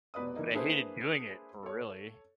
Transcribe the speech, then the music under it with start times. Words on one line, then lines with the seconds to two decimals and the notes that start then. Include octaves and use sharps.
But I hated doing it really.
0.14 F1 B2 B4 D5 D#6
0.36 E3 A#3 D#4
0.53 A#3 D4 E4 G#4 B4 C5
1.63 A4 C#5